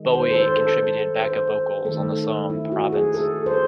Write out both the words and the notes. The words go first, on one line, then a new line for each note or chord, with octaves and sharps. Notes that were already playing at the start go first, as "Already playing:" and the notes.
Bowie contributed back-up vocals on the song "Province".
Already playing: D#3 G#3
C5
A4
C5
A4
C5
D#3 A3 A4
E4
F#4
G#4
A4
C5